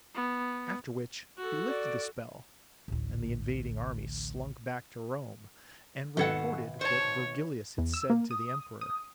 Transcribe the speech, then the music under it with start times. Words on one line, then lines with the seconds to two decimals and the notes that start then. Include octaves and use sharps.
After which he lifted the spell, and the invading army slunk back to Rome, and reported what Virgilius had said to the emperor.
0.15 B3
1.37 F#4 A4
1.68 D5
2.88 A1 D2
6.17 G#1 B2 A4 B4 F#5 G#6
6.81 C5 C#5 A5
7.78 E2
7.93 E6
8.10 A#3
8.31 D#6
8.81 D#6